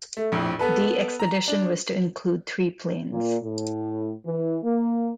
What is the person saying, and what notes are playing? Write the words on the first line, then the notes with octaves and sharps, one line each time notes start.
The expedition was to include three planes.
A3
A#1 F2 A2
B3 A4 B4
A#5
D4
A#2
A2
E3
A#3